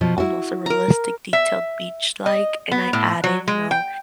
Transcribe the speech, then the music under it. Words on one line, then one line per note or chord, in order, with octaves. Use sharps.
almost a realistic detailed beach, like, and I add in, you know
B2 F3
E4 F#4
A#4 A#5
E5
D#5
B3
A2
F#3
G#3
G5